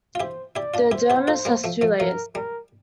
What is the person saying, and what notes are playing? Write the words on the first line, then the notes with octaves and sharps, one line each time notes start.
The dermis has two layers.
F4
E4 G4 C5
E4 G4 D5
D4 F4
E4 G4 C5
E4 G4
F4 A4
G3 A#3
F3 A3
F3 A3
F3 A3 A#4
G3 A#4